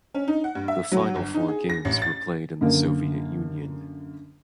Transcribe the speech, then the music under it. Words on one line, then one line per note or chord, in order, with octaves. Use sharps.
The final four games were played in the Soviet Union.
C#4
D#4
F#5
G2
E5
F#3
G1
D#4
G#4
A#6
A1
A6
F#2 D3 A#3